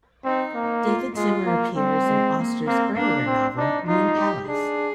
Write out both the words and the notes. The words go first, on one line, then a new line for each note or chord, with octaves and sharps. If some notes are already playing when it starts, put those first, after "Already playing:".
David Zimmer appears in Auster's earlier novel "Moon Palace".
C4 D#4
A#3
F4
G#3 F4
A#3
G3 C4
G#3
A#3
A#3 C4
A#3 D4
C4
D4 D#4
D#4 F4
G4
D4 G#4